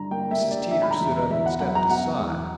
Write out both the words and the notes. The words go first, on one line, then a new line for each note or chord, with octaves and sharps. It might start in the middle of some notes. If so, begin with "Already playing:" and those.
Mrs. Teeter stood up and stepped aside.
Already playing: G2 D3 A#5
A#3 G5
E5
G3
D5
D3 E5
B5
A#5
E2
A#5
E2 E5
F#5
F#3 F#5
A#5
B2 F#5
E2